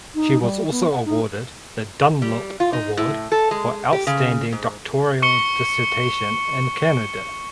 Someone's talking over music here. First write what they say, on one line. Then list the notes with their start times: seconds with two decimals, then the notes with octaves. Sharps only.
She was also awarded the Dunlop Award for Outstanding Doctoral Dissertation in Canada.
0.15 D#4
0.42 G3
0.71 B3
0.91 F#5
1.06 D#4
2.22 G3
2.60 F4
2.73 D#4
2.97 A2
3.32 A4
3.51 G#3
3.93 G4
4.07 C#3
4.52 G#2
5.22 C#6 C#7 G7